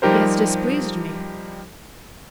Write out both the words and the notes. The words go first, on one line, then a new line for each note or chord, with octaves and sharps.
"He has displeased me."
F3 G3 D#4 G4 A#4 C5